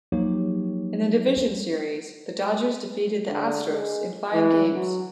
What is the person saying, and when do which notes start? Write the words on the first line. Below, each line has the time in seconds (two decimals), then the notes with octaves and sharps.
In the Division Series, the Dodgers defeated the Astros in five games.
0.12 F3 F#3 A#3 D#4 G4 C#5
3.29 D3
3.69 G#3
4.33 E3
4.74 F#3